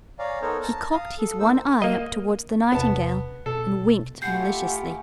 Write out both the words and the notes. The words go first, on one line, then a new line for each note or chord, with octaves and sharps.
He cocked his one eye up towards the Nightingale and winked maliciously.
C#5 D5 F5 G#5 A#5
B3 D#4 A4 A#4 C5 C#5
A5 A#5
F5 D#6
A4
A#3 D#4 C5 E6
A#3 D#5
G#1 E2 C3 B3 A5
B2 A4
A3 F4 G4 F#5 G#5 B5 G6 C7